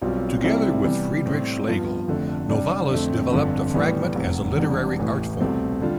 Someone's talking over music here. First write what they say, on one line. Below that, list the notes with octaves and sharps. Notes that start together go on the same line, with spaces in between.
Together with Friedrich Schlegel, Novalis developed the fragment as a literary artform.
B1 B2 G3 C4 F4
C3 G3 C4 E4 A4
C3 E3 G3 B3
A2 G3 C4
G2 F3 B3 F4
F1 F2 D3 A3
C3 G3 D4
F2 D3 A3 C4
G1 F2 D3
A2 E3 G3 B3
F1 E2 C3
E1 E2 C3 G3 D4
A1 A2 E3
C2 B2 A3 C4
D3 G3 D4 F4